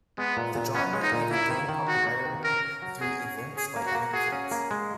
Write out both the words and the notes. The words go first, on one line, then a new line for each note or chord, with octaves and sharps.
The genre even gained popularity through events like Creamfields.
G#3 B3
A#2
A#2
B3 C#4
G#3
D#4
A#2
A#3 E4
D#3
D#3
D#4 F#4
A#3
D#3
C#4 A#4
C#5
F#3
F#4 G#4
C#4
C#5
C#4 G#4
A#3
F#4
A#3
F#4 G#4
C#4
A#3
G#3